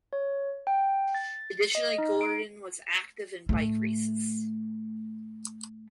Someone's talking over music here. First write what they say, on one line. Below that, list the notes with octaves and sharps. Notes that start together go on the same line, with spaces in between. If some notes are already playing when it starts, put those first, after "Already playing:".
Additionally Gordon was active in bike races.
C#5
G5
A6
D#5
D#4
D7
A2 A3